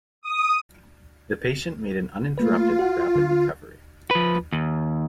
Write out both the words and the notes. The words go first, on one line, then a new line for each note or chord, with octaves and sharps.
The patient made an uninterrupted, rapid recovery.
D#6
A3 A#3 F4 B4
F#4 F#5
D3
F3 B4
D#2